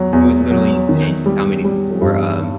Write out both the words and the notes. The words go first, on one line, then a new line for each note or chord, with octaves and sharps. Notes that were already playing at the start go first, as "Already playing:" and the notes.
it was literally insane just how many people were, um,
Already playing: E2 F#3
E2
F#3
D#3
G3
G3
G2